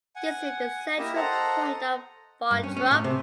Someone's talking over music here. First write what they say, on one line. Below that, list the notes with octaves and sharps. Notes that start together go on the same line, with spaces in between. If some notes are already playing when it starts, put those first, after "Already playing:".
This is the central point of Barntrup.
F#5 G#5
A#3 E4 G4 D#5 E5
A4 C5 D#5 F#5 A#5
G2
C#4
C#4
A2
C3